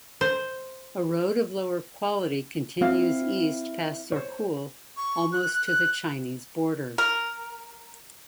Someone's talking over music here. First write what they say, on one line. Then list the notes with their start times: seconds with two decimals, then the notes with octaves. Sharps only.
A road of lower quality continues east past Zorkul, almost to the Chinese border.
0.21 C5
2.82 C4 E4 F5
4.12 C5 C#5
4.97 C#6
5.32 F#6
5.66 F#6
6.98 A#4